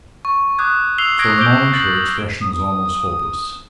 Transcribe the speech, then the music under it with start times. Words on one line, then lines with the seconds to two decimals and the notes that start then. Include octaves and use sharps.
For a moment her expression was almost hopeless.
0.25 C#6
0.58 D6 D#6 F#6 G#6
0.98 D#6 E6 C7 F7 G7
1.19 D#6 F#6 G#6 A#6 C7 D7
1.38 D6 E6 G6 D7 G7
1.72 F#6 A6 F#7
2.42 D#6